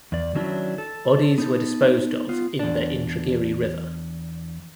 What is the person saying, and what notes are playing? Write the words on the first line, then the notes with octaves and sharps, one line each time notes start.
Bodies were disposed of in the Indragiri River.
E2 D5
D#3 F#3 C#4 D4 E4
A4
B3 D#4 A4
B3 F4
E2 D4